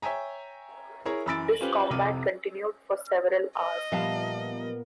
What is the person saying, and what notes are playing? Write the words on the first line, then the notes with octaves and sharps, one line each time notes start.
This combat continued for several hours.
C#5 E5 G5 G#5 A#5
E4 G#4 A#4 C#5 A#5
F#2 E3 B5 E6 A6 D7
C#4 F4 G4 B4 C5
C2 F2 C3 D6 F6 D#7
D#5
A#2 F3 G3 B3 A#4 E5 F5 A5